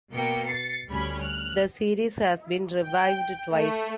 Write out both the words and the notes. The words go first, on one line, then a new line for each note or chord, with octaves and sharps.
The series has been revived twice.
B2 A#3 G5 C#7
A6 C7 C#7
D2 G3 C#4 B5 G#6
F6 F#6
G5
A3